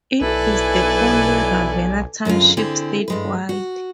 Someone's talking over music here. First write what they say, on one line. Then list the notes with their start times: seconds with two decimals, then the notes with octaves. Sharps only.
It is the only Ravenna Township statewide.
0.21 B1 E4 A4 B4 D5 G#5
2.25 F#2 D3 G#3 F4
2.57 D3 C4 E4 G#4
3.08 G2 G#3 B4
3.49 F#4